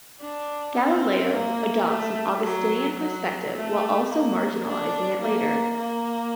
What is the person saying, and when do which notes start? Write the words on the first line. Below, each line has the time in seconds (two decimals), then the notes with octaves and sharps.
Galileo adopts an Augustinian perspective, while also marginalizing it later.
0.20 D4
0.76 C4
1.32 A#3
1.88 A3
2.43 F#3
2.98 F#3
3.55 A3
4.10 A#3
4.66 D4
5.22 A#3
5.77 A#3